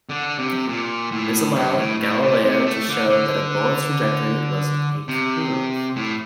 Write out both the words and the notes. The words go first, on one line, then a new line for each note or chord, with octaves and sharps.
This allowed Galileo to show that a bullet's trajectory was a curve.
D3
C3
A#2
A2
G2
A2
A2
A#2
C3
A3
D3
D3
C3
A2